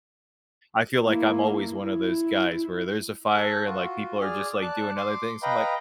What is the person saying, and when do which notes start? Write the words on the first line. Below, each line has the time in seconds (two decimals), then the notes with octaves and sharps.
I feel like I'm always one of those guys where, there's a fire and, like, people are just, like, doing other things. I'm like,
1.04 A#3 E4
1.80 E4
3.34 A4 F#6
3.67 F4 F#4
4.21 G#4 D5 F6
4.62 D5 A5 F#6
4.96 C6 D6
5.43 B4 D#5 F5 G5 A#5 B5